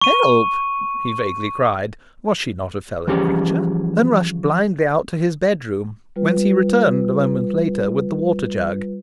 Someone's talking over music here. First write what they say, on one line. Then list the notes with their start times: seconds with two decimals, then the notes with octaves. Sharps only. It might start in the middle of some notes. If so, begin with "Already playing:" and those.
"Help!" he vaguely cried--was she not a fellow-creature?--and rushed blindly out to his bedroom, whence he returned, a moment later, with the water-jug.
0.01 C#6 D#7
3.07 E3 F3 G3 C#4 G4 G#4
6.16 G3 F4 B4